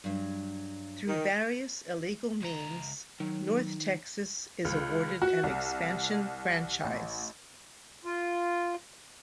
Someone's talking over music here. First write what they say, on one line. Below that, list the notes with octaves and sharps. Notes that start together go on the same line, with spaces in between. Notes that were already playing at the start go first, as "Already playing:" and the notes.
Through various illegal means, North Texas is awarded an expansion franchise.
G2 F#3
D#3 G#3
C#2 A#5
D#3 F#3
C#2
F#4
C2
A1
F4